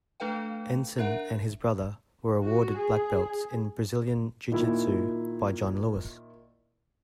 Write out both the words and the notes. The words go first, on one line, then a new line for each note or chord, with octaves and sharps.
Enson and his brother were awarded black belts in Brazilian Jiu-Jitsu by John Lewis.
A3 D4 A4 B4 F5 G5
D4 A#4 E5 F#5
F#4
G#4
A#2 D#3 A#3 E4